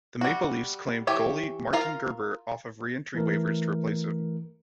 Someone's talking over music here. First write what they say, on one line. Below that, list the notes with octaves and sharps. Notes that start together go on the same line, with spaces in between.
The Maple Leafs claimed goalie Martin Gerber off of re-entry waivers to replace him.
G3 F#4
E3 G4 C#5 E5
F4 A#4 F5
E3 A3 A#4